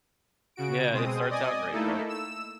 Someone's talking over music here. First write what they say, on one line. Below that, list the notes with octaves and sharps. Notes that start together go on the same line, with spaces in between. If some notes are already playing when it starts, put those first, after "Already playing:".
Yeah, it starts out great, right?
C#3 F#4 D7
B2 G#3 C4 D#6
D5 D#5 G#5 D#6
A3 A#3 D#4 E4 A4
E6 E7